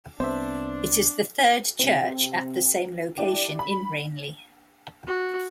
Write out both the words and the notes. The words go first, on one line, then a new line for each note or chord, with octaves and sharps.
It is the third church at the same location in Reinli.
C2 B3 C4 D4 C5 E5
C3 C4
D4 E4 G4
B5
F#4